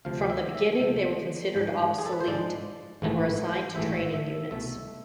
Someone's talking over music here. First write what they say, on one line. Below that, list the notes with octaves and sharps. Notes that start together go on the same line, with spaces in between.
From the beginning they were considered obsolete, and were assigned to training units.
D2 C3 F3 F5
E5
E5
D2 C3 F3
G#2 F3 G#3
G#4
A4
B4
C5
G#2 F3 G#3 D5
A1 G#2 E3 A3
A1 G#2 E3 A3 E5
E5
C2 B2 A3 E5